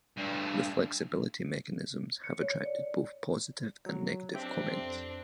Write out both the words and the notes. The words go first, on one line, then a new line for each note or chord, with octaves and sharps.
The flexibility mechanisms have attracted both positive and negative comments.
G2 A3
C#7
C#5
D5
F#3
C4 D4 G4 E5 G5
F2